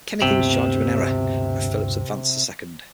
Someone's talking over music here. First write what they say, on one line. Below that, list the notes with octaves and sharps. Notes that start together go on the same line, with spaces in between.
Kennedy was charged with an error, and Phillips advanced to second.
D2 G2 C3 B3